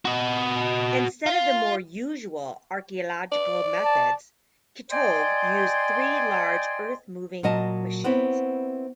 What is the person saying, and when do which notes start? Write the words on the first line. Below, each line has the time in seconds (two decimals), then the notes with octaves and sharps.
Instead of the more usual archaeological methods, Kitov used three large earthmoving machines.
0.05 F#4 D#5
1.26 F4
3.32 D5
3.84 A5
4.90 C5 D5 D#5 G5 G#5 C6
7.43 A#2 F#3 D#5 A5
8.04 B3 C4 E4 C#5